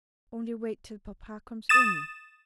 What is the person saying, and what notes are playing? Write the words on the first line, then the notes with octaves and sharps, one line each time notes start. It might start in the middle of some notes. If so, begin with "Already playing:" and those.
'Only wait till papa comes in.
D#6 A6 E7